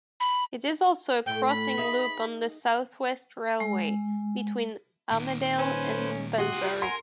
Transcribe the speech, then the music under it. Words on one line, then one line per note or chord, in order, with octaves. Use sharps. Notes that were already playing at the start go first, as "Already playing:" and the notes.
It is also a crossing loop on the south-west railway between Armadale and Bunbury.
B5
A2 A3 G5
B5
D#4 G#4 E5
G#3
A#2 D#3
C#4 B4 C5 G#5
F#4 G4 C6 D#6 F#6
F4 G#4
A#4 F#5 G#5 A#5 C6